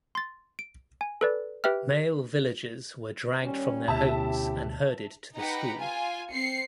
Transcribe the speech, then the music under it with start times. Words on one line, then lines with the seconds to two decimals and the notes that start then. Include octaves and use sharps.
Male villagers were dragged from their homes and herded to the school.
0.15 C6 A6
0.59 D7
1.01 G#5
1.21 A4 B4 D5
1.64 G4 B4 E5 G5 F6
3.43 D#2 G3 C#4
3.88 D2 B2 C#4 E4 G4 E5 A5
5.36 D#4 G4 B4 F#5 A#5 B5
5.79 F4 G#5
6.32 C4 C7 C#7